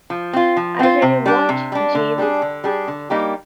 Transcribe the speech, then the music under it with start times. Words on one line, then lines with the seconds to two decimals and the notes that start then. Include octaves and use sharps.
I'll tell you what, Jeeves.
0.10 F3
0.33 C4 F4
0.57 F3
0.79 C4 F4
1.02 C3
1.26 G3 D4
1.49 C3
1.72 G3 D4
1.95 D3
2.18 G3 D4 G#4
2.42 D3
2.64 G3 D4 G#4
2.88 D3
3.10 G3 A#3 D#4 G4